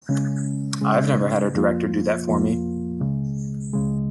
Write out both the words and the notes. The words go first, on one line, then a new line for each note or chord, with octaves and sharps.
I've never had a director do that for me.
C#3 G#3 C#4
C#3 G#3 C#4
F2 F3 A#3 F4
F2 F3 A#3 F4
C#2 C#3 G#3
C#2 C#3 G#3